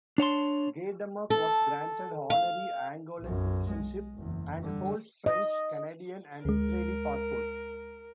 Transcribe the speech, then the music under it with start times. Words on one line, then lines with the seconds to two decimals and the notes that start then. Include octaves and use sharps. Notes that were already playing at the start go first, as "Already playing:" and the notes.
Gaydamack was granted honorary Angolan citizenship and holds French, Canadian and Israeli passports.
0.18 D4 C#5 A5 C6
1.30 A4
2.30 F5
3.20 B1 F#2
3.71 G#3
4.14 F#1 E2
4.62 D3 G3
5.26 D#5
6.45 D2 G#3 A#4